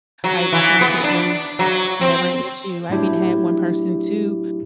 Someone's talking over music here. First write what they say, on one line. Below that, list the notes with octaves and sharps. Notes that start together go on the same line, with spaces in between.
like, like, it was never an issue. I've even had one person too,
F#3
E3
B3
D4
F#3
C4
A2 F#3 D4 E4 G4